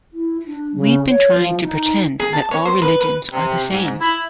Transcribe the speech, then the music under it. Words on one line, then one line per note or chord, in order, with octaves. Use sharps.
We've been trying to pretend that all religions are the same.
E4
D4
C#3
C#5
F3
D#4
G#4
A5
C#5
C5
B4
B4
C3
G#2
E4